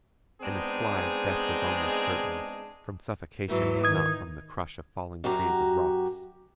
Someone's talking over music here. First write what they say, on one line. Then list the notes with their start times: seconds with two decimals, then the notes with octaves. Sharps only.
In a slide death was almost certain, from suffocation if not from the crush of falling trees and rocks.
0.42 G#3 B3 C4 D4 D#4 G#4
3.49 G#2 E3 F#3
3.84 D#3 D#4 D#6 G#6
5.24 F#2 F#4 G4 A#5